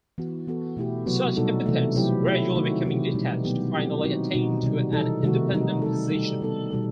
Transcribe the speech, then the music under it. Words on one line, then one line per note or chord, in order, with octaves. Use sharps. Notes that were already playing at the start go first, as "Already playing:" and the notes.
Such epithets gradually becoming detached finally attained to an independent position.
E3 B3 F#4
E3 B3 F#4 A4
B2 A3 E4 G4
C3 F#3 B3 F#4
B2 G3 D#4 F#4 A4
C3 E3 A3
C3 F#3 C4 E4 G4
A3 E4 G4
D#3 A3 D#4 F#4
C3 E3 A3 E4 G4
B2 G3 D#4
D#3 F#3 B3 E4 G4
F#3 C4 E4 G4
D#3 F#3 C4 D#4 F#4
B2 G3 D#4 F#4
C3 D#3 G3
E3 G3 D#4 A4
C3 D#3 A3 D#4 F#4
D#3 G3 D#4
G3 D#4 A4
G3 D#4 G4
G3 B3 D#4 A4
B2 G3 D#4 A4